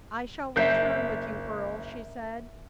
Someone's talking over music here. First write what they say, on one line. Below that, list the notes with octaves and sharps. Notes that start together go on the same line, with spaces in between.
"I shall return with you, Earle," she said.
F#1 A#4 E5 G6 C7